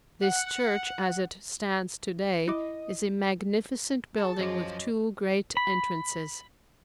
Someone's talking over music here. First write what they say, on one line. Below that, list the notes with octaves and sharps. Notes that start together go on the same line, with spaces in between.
This church as it stands today is a magnificent building with two great entrances.
F#5
E4 D#5 D6
G#4 A5
F#2 F3 C#5 D#5 D6
B5